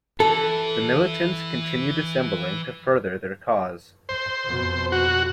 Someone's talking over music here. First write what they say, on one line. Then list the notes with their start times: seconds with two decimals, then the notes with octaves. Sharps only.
The militants continued assembling to further their cause.
0.20 E3 A4
4.09 C5
4.44 F2 B2
4.92 F#4